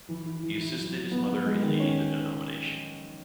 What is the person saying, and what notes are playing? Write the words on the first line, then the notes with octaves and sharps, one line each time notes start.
He assisted his mother in leading the denomination.
E3
E4
E3
E4
F#3
F#3
B3
B3
G#3
D#3
C#4